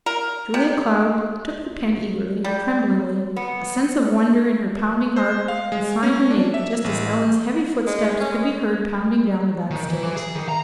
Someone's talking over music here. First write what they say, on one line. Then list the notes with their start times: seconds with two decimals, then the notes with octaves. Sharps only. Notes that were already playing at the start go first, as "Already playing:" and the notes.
Julia Cloud took the pen eagerly, tremblingly, a sense of wonder in her pounding heart, and signed her name just as Ellen's heavy footsteps could be heard pounding down the back stairs.
0.06 A#4
0.54 C3
2.44 G3
3.36 B3
5.16 C5
5.48 F5
5.72 G#3
6.03 C#4
6.31 D4
6.54 E5
6.84 A1
7.87 G#3
8.21 C#4
8.32 G#3
9.71 D#3
9.88 E3
10.03 E3
10.16 G#4
10.35 D#3
10.49 A#5